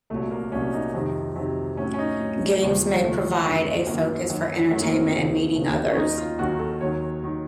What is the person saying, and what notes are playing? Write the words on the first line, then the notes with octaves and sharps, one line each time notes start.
Games may provide a focus for entertainment and meeting others.
C2 A#2 F#3 A3
A#3
C2 A#2 F#3 C#4
D#4
F2 C3 D#3 F#3
F2 C3 D#3 F#3
A2 F#3 C#4
C#4
D#4
A2 F#3
D#2 C#3 F3
D#2 C#3 F3 A3
F#2 D#3 F#3
F#2 D#3 F#3 A#3
F#2 D#3 F#3
F#2 D#3 F#3 A3
A#3
C4
D#2 C#3 F3
D#2 C#3 F3
C#4
D#2 D#3 F#3 D#4
F4
D#2 D#3 F#3 F#4
A4
D#2 D#3 F#3 C#5
D#3 F#3